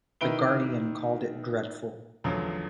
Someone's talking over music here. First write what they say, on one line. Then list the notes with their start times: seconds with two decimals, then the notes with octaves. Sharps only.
The "Guardian" called it "dreadful".
0.21 D#3 E4 B4 D7 G7
2.24 A1 E2 D3 F3 F#3